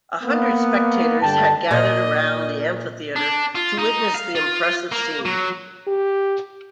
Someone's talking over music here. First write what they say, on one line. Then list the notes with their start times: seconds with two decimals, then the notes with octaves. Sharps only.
A hundred spectators had gathered around the amphitheater to witness the impressive scene.
0.24 A#3 B3
1.22 G2 D3 G5 A5
1.71 A#2 D#5
3.16 D4
3.55 F4
3.79 D#4
4.15 F5
4.35 F4
4.92 A#3
5.25 F#3
5.87 G4